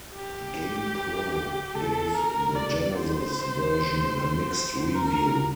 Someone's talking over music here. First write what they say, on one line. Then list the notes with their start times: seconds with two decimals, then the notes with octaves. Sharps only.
"GamePro" gave the Genesis version a mixed review.
0.15 G4
1.75 A4
2.15 A#4
2.55 D5
2.95 C5
4.95 A#4